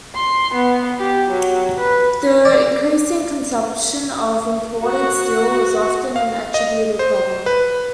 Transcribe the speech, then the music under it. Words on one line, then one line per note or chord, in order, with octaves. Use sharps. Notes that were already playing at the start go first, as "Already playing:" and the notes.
The increasing consumption of imported steel was often an attributed problem.
C6
B3
G4
F#3
B4
D5
F#4
F5
D#5
C5
B4